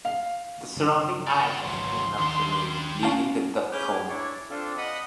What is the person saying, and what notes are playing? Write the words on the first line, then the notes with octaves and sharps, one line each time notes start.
The surrounding ice or snow melts away, leaving the dirt cone.
F5
G2 C#3 G3
D5 F#5
G#1 C#2 E3 F#3 C6
D#2 D#3 D4 G4
C#4 F5 A5
C#4 G#4 B4 D6 F6 G6
G#4
D4 E4 C#5 D5
C4 D4 F4 A4
D#5 F#5 B5 D#6